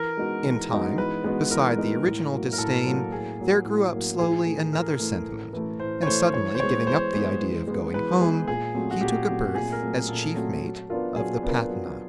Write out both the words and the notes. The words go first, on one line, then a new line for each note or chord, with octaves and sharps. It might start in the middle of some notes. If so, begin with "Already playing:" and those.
In time, beside the original disdain there grew up slowly another sentiment; and suddenly, giving up the idea of going home, he took a berth as chief mate of the Patna.
Already playing: E3 A#4
G#3 B3 D#4 F#4
E3
G#3 B3 D#4 F#4
E3 B4
G#3 B3 D#4 F#4 B4
E3 A#4
G#3 B3 D#4 F#4
A2
F#3 A#3
A#4
A2 A4
F#3 A#3
A2 G#4
F#3 A#3
A2
F#3 A#3
A2 G#4
E3 A3
A2 A#4
E3 A3
A2
E3 A3
A2 C5
C#5
E3 A3 C5
E3 C#5
C5
G#3 B3 C#5
E3 C5
G#3 B3
E3
G#3 B3
E3 B4
G#3 B3 G#4
A#2 G#4
F#3 A3 C4
F#4
A#2 G4
F#3 A3 C4
A#2 G#4
A#4
F#3 A3 C4
A#2 A4
F#3 A3 C4
F#3
B3 D4 F4 A#4
F#3 G#4
B3 D4 F4 A#4
F#3